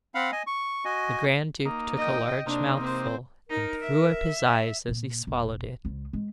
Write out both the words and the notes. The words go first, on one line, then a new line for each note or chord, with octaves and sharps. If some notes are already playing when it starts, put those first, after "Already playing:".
The grand duke took a large mouthful and threw up his eyes as he swallowed it.
C4 F5 F#5 B5
D#5 G#5
C#6
F#4 D#5 G#5
A#3 D#4
D#5 G5
C3 A#3 D4 D#4
C4 C5
D#4 A#4
E5
A#2 A#3
E1
C#2 F4
G#3